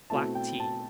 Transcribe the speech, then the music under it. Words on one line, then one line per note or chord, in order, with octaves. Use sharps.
Black Tea.
B2 A3 C4 E4 A5
G5
A5